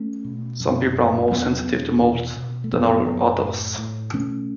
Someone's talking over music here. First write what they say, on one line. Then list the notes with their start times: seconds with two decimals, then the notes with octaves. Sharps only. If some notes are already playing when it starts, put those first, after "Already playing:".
Some people are more sensitive to mold than others.
Already playing: A3 C#4
0.25 B2
0.60 F#2
0.95 F#1
1.31 E2 F#3 B3
1.66 E1
2.02 B2
2.36 B2
2.64 A3
2.73 F#2 F#3 B3
3.07 F#1
3.43 A2
3.78 A2
4.13 B2 A3 C#4